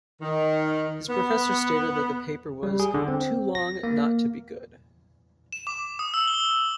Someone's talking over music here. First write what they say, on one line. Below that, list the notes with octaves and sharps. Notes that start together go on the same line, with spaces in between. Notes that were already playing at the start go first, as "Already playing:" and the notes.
His professor stated that the paper was "too long not to be good".
D#3
B3
G3
G#4
D3
C4
A#6
A#3
E7
D6
D#6
E6
G7